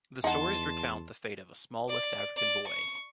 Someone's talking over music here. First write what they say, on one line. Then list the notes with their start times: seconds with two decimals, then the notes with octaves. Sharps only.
The stories recount the fate of a small West African boy.
0.24 E2 D#4 F#5 A5 C6
1.89 D5
2.36 D5
2.67 C#6